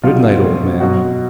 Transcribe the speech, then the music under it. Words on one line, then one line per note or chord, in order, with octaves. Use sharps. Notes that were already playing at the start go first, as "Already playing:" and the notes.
"Good-night, old man."
B2 F#3 F4
B2 F#3 F#4